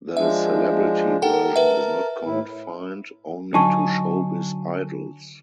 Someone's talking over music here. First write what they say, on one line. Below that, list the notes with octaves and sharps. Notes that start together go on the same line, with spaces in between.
The celebrity version is not confined only to showbiz idols.
F3 G#3 D4 E5
A4 A#4 F#5 G5 A5
B4 E5
A2 E4
D3 F#3 D#4 G#5 A5 C#6